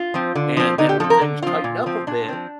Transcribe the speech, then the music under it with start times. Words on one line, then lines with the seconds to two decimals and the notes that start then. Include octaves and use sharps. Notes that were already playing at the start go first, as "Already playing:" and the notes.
and then when things tighten up a bit,
Already playing: F4
0.14 F3 C4
0.35 D3
0.57 F3 C4
0.78 D3 D#4
0.89 G4
1.00 F3 C4 A4
1.10 A#4
1.21 D3
1.43 F3 C4 F4
1.64 A#2
1.86 F3 C4
2.07 A#2 D4
2.29 F3 C4